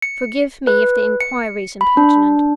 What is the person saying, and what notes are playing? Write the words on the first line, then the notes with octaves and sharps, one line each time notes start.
Forgive me if the inquiry is impertinent.
C#7
B4
C#7
B5
D4